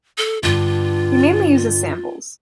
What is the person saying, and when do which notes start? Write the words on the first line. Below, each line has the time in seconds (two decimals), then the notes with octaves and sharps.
He mainly uses samples.
0.18 A4
0.43 G2 D3 F4